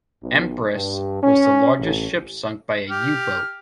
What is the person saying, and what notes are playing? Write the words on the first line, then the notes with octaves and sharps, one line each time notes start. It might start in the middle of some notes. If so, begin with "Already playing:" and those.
"Empress" was the largest ship sunk by a U-boat.
B1
G2
C#4
A1
G4 F6